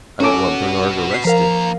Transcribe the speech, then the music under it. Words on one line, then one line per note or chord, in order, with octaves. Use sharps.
"I don't want Bernard arrested."
B3 C#4 F#4 A4 D6
B6 C7
D#2 F3 A#4 F5 A#5